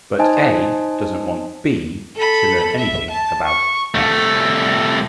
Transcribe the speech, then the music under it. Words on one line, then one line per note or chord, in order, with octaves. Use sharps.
But "A" doesn't want "B" to learn anything about "f".
D#4 C5 D#5 G#5 A5
A4 B5
E5
A5
C#6
C2 A3